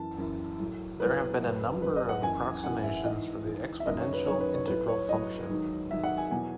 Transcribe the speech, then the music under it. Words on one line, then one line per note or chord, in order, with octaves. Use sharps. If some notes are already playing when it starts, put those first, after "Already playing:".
There have been a number of approximations for the exponential integral function.
Already playing: F#2 E3 A5
F#2 E3
A2 F#3
A2 F#3 B4
F#2 C#3 F#3
F#2 C#3 F#3 B4
D#5
F#5
F#2 E3 G#5
F#2 E3 F#5
E5
G#2 E3 D#5
G#2 E3
E5
F#2 D#3 F#3 D#5
C#5
B4
F#2 D#3 F#3 C#5
B4
C#5
A2 F#3 B4
C#5
A2 F#3 D#5
G#2 D#3 F#3
G#2 D#3 F#3 E5
F#5
G#5
E2 B2 F#3 G#5